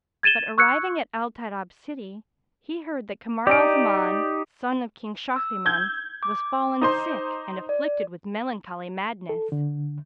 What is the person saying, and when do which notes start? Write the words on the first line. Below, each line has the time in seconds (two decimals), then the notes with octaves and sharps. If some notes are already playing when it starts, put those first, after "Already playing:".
But arriving at Al-Tayrab city, he heard that Kamar al-Zaman, son of King Shahriman, was fallen sick and afflicted with melancholy madness.
0.23 G#6 A6 D#7 E7 G7
0.58 C#6 E6 F#6 G#6 C#7
3.47 D#4 G4 D5 D7
5.36 E6
5.66 G6 G#6
6.23 D6
6.82 D#4 C5 C6
7.69 D5
9.29 A4
9.52 D3